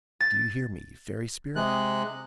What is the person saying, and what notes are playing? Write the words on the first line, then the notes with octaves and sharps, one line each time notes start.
Do you hear me, you fairy spirit?
A6
C3 G#3 F#6